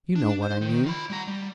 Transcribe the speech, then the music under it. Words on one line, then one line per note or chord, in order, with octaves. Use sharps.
You know what I mean.
D4
C5
D#3
F4 B5
G3 A#5
G3